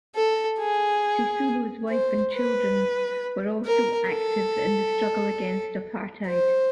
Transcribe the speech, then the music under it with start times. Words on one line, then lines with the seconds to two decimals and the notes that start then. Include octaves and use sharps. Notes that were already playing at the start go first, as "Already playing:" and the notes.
Sisulu's wife and children were also active in the struggle against apartheid.
0.15 A4
0.59 G#4
1.90 C5
2.33 B4
3.65 A#4
4.09 A4
6.27 C5